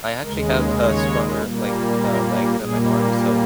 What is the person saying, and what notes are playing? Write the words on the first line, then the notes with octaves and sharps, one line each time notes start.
I actually have a stronger, like, uh, legs and my arms, so
D#2 C#3 G#3 A#4
B4
C#5
A#2 G3 A#3
A#4
A#2 G3 A#3 G#4